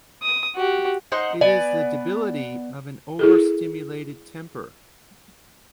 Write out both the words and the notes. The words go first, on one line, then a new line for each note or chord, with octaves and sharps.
It is the debility of an over-stimulated temper.
D#6
F#4 G4
D#4 C5 F#5
B3 D5 G#5
E4 G#4 A4